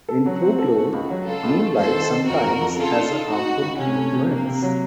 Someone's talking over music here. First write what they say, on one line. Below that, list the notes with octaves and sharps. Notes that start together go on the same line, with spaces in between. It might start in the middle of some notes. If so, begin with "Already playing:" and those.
In folklore, moonlight sometimes has a harmful influence.
A4
F#3 F#4
C4
A4
A3
C#2
F#3
C#2 F4 A4
C#2
A3
F2 A4 C5
D#3
D#3
F2 F#4 A#4
F2
F2
C#3 F4 A4
D#4
D#4
D#4 F#4
D#4
C#2
C3 C#4
A3
C3
C3 A#3
C3
F#3